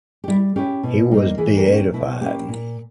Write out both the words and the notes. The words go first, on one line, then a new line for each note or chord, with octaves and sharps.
He was beatified.
G4
G3 E4
C#4 E4 G4
B2
G3 A#3 D#4
E3 E4 G#4
G4 A#4
A#3 C#4
G4
B2 E4
A#3 C#4 E4 G4
A#2